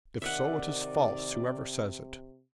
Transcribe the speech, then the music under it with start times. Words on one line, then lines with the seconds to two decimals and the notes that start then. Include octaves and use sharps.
If so, it is false, whoever says it.
0.22 C3 D#3 D5 E5 F#5